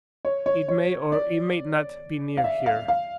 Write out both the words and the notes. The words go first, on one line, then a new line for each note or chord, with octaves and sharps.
It may or it may not be near here.
C#5
C#5
C#5
D5
F5
E5
F5
F5